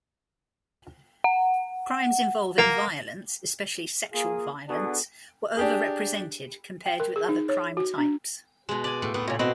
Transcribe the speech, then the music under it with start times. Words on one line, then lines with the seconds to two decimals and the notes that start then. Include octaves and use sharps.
Crimes involving violence, especially sexual violence, were overrepresented compared with other crime types.
1.24 F#5
2.58 A#3
4.12 A#3 F4 G#4
4.68 B3 D4 F#4 G#4 A4
5.57 D4 G4 G#4
6.86 G5
7.00 A#4
7.16 G#4
7.29 D#4
7.49 C#5
7.77 F#4
7.98 D4
8.69 B2 G#3
8.84 D5 G#5
9.02 A2
9.14 A2 B3
9.28 A#2 C#3
9.39 B2 B3 C4